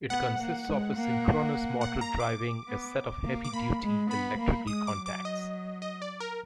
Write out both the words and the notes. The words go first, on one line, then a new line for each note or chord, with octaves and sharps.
It consists of a synchronous motor driving a set of heavy-duty electrical contacts.
B3 F#5
A#3
G#3
A#3
F#5
A#5
D6
B3
A#3
D6
A#3 B5
G#3
B3 B5
A#3
G#3 D#6
D6
F#3
D6
D#5
D#5
D5
A#4